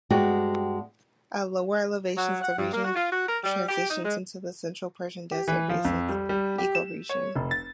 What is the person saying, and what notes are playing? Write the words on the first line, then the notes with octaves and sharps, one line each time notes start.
At lower elevations the region transitions into the Central Persian desert basins ecoregion.
G2 G#3 B3 F#4 G4
F#3
F#5
G2
A#3
F#4
F4
F#4
A#4
G3
G4
D#4
G#3
G4
E3
F3
F2
G3
G3
G4
E7
C#5
F1
A6